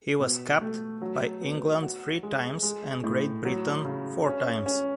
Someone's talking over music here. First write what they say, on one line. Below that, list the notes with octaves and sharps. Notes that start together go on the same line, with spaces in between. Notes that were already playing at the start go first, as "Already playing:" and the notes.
He was capped by England three times and Great Britain four times.
B2
A3
F#3
B3
F#4
G#3
G#3
A2
F#3
C#3
C#4
C#4